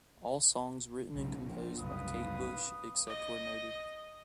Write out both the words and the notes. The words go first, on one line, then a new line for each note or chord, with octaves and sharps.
All songs written and composed by Kate Bush, except where noted.
B1 G#2 C#3
A#2 F3
F#1 C2 G#2 B4 F5 D#6
D#5